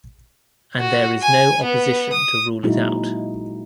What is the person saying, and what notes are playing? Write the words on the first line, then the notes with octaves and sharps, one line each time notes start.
And there is no opposition to rule it out.
F#4
G#5
B3
D#6
A#2 F#3 G#3 D#4 E4 F#4